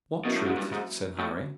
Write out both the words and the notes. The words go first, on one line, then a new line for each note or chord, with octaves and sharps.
"What truth?" said Harry.
B2 F#3 A#3 C#4 E4
A2
G#2
G2
G#2
A2